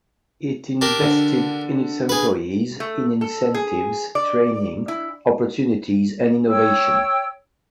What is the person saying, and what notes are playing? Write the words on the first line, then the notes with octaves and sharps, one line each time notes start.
It invested in its employees in incentives, training, opportunities, and innovation.
D4 G4 A#4
D3
G#4 B4
A3
A4
G#4
D5
E4
C#5 G5 E6